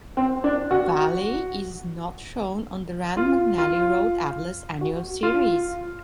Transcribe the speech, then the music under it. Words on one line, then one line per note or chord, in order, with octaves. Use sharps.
Valle is not shown on the Rand McNally Road Atlas annual series.
C4
D4
F#4
F4
F4
F#4
F4